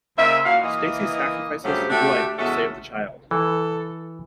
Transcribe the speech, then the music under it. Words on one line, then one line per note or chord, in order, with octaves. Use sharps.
Stacy sacrifices his life to save the child.
C#3 A#3 C4 D#5 E5
A#2 E4 F#4 F5
E3 A#3 D#5
G2 C#3 F#3 A3 G4 C5
A3 D4 F#4 G4
E2 G#3 C#4 F#4 A4 E5
E3 A4